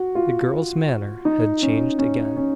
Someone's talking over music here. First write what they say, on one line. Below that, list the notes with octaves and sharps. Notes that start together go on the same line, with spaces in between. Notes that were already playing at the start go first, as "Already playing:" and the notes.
The girl's manner had changed again.
Already playing: F#4
F4
D#4
C#4
C#4
C#4